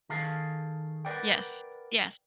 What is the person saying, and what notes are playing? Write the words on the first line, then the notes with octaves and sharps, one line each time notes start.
Yes, yes.
D#3 G#4 A4 F5
A#4 B4 D5 F#5 G5